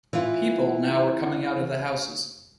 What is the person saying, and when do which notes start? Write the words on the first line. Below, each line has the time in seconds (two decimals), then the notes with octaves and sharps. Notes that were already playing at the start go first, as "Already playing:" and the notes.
People now were coming out of the houses.
0.13 E3 F4